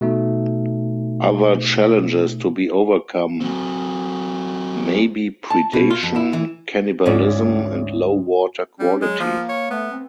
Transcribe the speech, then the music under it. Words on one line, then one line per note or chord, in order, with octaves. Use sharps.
Other challenges to be overcome may be predation, cannibalism, and low water quality.
B2 A3 D#4
F#3 C4
A5
B2
F4
F2
E4
E3
D2 G#2 C#4 F#4 D5
G3 C#4
F#3 G#3
F3 A#3
C#5
A3 B3
C4